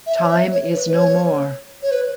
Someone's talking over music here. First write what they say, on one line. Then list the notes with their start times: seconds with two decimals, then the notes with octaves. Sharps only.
Time is no more.
0.06 E5
0.23 C#5
0.28 E5
0.51 C#5
0.73 B4
0.87 B4
0.94 C#5
1.82 C#5
1.91 B4